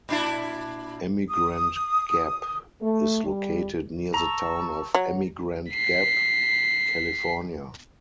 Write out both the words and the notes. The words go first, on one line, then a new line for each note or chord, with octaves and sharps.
Emigrant Gap is located near the town of Emigrant Gap, California.
A#2 D4 E4
D#6
A3
G3
A5 A#5 C#6 E6
F#3
B6 C7